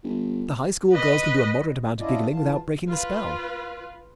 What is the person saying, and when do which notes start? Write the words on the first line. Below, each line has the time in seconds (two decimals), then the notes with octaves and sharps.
The high-school girls can do a moderate amount of giggling without breaking the spell.
0.03 G1
0.91 B4 D#5
2.00 C#4 D4 E4 F4 D5 D#5
2.30 E2 F4 A5
2.88 F4 B4